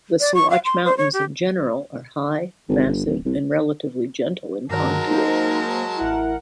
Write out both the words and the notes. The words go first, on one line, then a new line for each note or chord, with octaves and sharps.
The Sawatch mountains in general are high, massive, and relatively gentle in contour.
D5
C#6
F5
C6
C5
C#5
G4
G#1
G1
D1
C2
G2 D#3 F#3 G#3 A#4 A5
A#3 D#4 C5
A1 E4 A#4 F#5